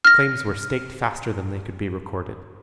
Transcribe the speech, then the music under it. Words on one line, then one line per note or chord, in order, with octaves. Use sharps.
Claims were staked faster than they could be recorded.
F6 A#6